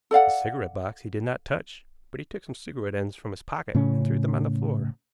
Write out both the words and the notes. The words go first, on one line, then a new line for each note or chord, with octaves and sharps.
The cigarette box he did not touch, but he took some cigarette-ends from his pocket and threw them on the floor.
A4 D5 F5 F#5
A2 C#3 C#4